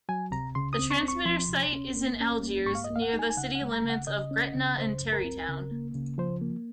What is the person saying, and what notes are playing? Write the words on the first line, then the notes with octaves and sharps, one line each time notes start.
The transmitter site is in Algiers, near the city limits of Gretna and Terrytown.
F#3 G#5
C3 A#5
C#3 C6
D#6
C4
C#6
C4
C#6
F3 C6
C3
C#4
A#3
C#4
A#3
G#2 C#6
F5
D#5
A#3
F5
F#5
D#4
G#5
G#5
C#3 F#5
F#5
G#3
A#5
C#3
F#5
C#3 D#5
C#4
C#3
C#3 C5
F#2
A#4
C4
C#3
A#3
C#3
F3 C5
A#3